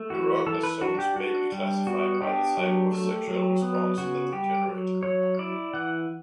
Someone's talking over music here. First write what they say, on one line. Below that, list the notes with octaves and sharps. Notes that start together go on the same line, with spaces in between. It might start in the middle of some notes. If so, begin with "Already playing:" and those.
Erogenous zones may be classified by the type of sexual response that they generate.
Already playing: A3
E3 F#4
E3 A4
B4
D4 F#4
G4
D4 F#4
G3
B3 F#4
D4 G4
F#3
A3
F#3
B3
C#3 F#4
G3 G4
F#3
F#3 C#5
E4 D5
E3 F#5